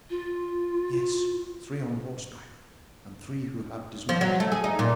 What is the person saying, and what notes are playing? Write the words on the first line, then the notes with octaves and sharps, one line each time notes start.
"Yes, three on horseback and three who have dismounted."
F4
F3
F#3
A3
G#4
D#4
A#2